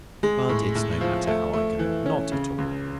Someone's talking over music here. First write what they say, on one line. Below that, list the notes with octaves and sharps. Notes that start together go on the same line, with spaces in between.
But it's no matter how I go,--not at all.
G#3
A2
A2
F3
A3
A3
E3
C#4
C#3
C#2